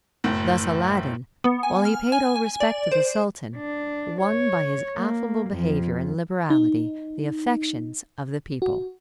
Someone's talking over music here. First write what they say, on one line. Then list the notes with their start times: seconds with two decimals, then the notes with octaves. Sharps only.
Thus Aladdin, while he paid all respect to the sultan, won by his affable behaviour and liberality the affections of the people.
0.24 F#1 A2
1.44 B3
1.63 G#5
1.85 F6
2.12 G#5
2.36 G#5
2.60 D5
2.92 C5
3.57 D4
4.22 C#5
4.97 A#3
5.50 F2
6.50 D#4
8.62 F#4